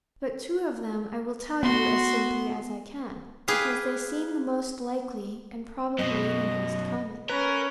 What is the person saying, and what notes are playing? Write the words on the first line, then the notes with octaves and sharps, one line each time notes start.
But two of them I will tell you as simply as I can, because they seem the most likely, and probably the most common.
B3 F#4 C6
G4 G#4 B4 F5
F#2 B2 D#5
C#4 A#4 B4